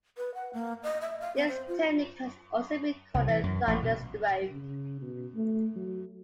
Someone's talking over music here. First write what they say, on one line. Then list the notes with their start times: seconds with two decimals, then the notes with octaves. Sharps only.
This technique has also been called a "thunder stroke".
0.18 B4
0.34 F#5
0.54 A#3
0.83 D#5
1.01 E5
1.21 F5
1.36 C4
1.48 C5
1.68 F4
3.14 C2
3.28 E3
3.43 F#2
3.67 A1
3.83 B2
4.51 C#3
5.02 B2
5.36 A3
5.76 F#3